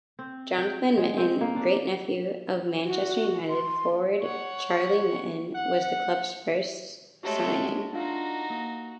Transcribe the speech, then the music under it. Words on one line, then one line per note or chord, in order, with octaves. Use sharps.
Jonathan Mitten, great-nephew of Manchester United forward Charlie Mitten, was the club's first signing.
C4
G5
G#3
C4
A#3
D4
F#4
C6
C#5 F#5
F#5
G#3 A3 F#4 G4 C#5
D4 D#4 F4 F#4 F5
A#3